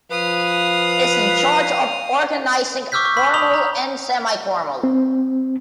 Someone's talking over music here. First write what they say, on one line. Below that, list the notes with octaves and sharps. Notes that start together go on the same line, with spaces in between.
Is in charge of organizing formal and semi-formal.
F3 B4 F5 D#6
C#6 D6 E6 F6 G6 B6
C#6
B5 B6
B5 D#6 F7 G7
A#5
C4